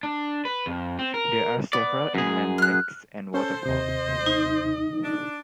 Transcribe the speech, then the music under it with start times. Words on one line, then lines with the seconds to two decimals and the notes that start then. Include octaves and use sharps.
There are several inland lakes and waterfalls.
0.03 D4
0.45 B4
0.66 F2
0.99 C4
1.14 A#4
1.73 B3 D5
2.15 F#2 G#4
2.58 F6 F#6
3.34 C#4 A4 C5
3.66 D#2 C3 D#5
4.26 D#4
5.04 D4